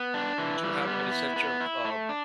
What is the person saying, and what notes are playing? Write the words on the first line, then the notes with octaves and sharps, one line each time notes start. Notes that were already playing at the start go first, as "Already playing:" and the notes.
you do have an essential, um,
Already playing: B3
D4
E3
G3
B3
E4
B3
E4
A3
D4